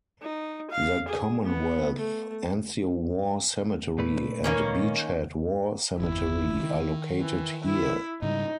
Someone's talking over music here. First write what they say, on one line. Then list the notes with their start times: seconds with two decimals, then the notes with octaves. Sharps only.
The Commonwealth Anzio War Cemetery and Beach Head War Cemetery are located here.
0.22 D#4
0.71 F5
1.08 G#4
1.44 B3
1.98 A3
3.98 A#2 A3 B4
4.44 D#3 A#3 C#4
6.00 G1 E2 E4
6.60 D#3
7.21 E3
7.65 E4
8.22 G#2 C#3 G3 D#4